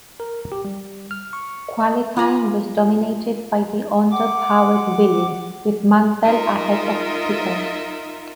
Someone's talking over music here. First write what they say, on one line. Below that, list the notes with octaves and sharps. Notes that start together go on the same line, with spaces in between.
Qualifying was dominated by the Honda powered Williams, with Mansell ahead of Piquet.
A#4
G4
G3
F6
C#6
D#5
F4 G#5 A#5 B5
F#5 D6
D#4 F4 A#4 D#5 E5